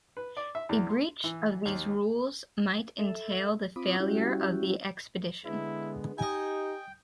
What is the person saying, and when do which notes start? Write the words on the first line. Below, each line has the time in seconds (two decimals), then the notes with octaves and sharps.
A breach of these rules might entail the failure of the expedition.
0.17 B4
0.37 D5
0.55 E5
0.69 E2
0.89 C6
1.24 E3
1.65 D#2
2.99 A4 E5
3.76 C4 F4 B5 D6 D#6
4.00 G3 C#4 E4 F#4 G4
5.46 D3 G#3 B3 E4
6.18 D#4 G4 D#5 G5 G#5